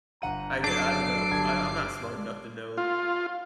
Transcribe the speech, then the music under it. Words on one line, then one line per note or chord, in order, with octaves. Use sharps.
I I don't know, I I'm not smart enough to know
G1 F#5 A#5 D#7
F#3 D4 A4 D6 C7
G1 G3 A5 G#6
F4